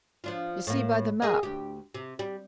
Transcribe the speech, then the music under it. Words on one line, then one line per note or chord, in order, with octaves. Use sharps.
You see by the map.
F3 D4 F4
A2 A#3
G#4 A#4 D#5
D2 G4
C3
G3